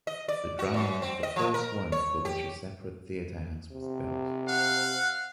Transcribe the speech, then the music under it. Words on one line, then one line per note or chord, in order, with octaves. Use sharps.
The drama was the first one for which a separate theater house was built.
D#5
D5
F#4
F#2
C4
D#5
F3
A#4
C#5
G4
C3
F5 F#5